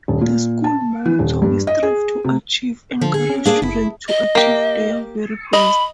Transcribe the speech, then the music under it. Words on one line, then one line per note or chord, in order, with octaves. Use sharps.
The school motto "We Strive to Achieve" encourages students to achieve their very best.
D#1
A#2
A5
E3
D#1
G2
D#5
G#4
C3
D3 F3
G#4
C#4
A#3 D4 G#4 F5
F#1 E4
D#5
A#3 G4
D#5 B5